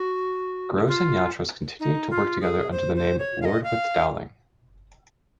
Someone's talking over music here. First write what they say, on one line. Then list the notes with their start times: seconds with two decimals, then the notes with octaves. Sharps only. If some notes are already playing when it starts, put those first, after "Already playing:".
Grose and Yatras continued to work together under the name Lord with Dowling.
Already playing: F#4
0.88 F4
1.80 D#4
2.11 F4
2.41 G#4
2.72 C5
2.95 C5
3.19 C#5
3.42 F5
3.45 D#5
3.64 F5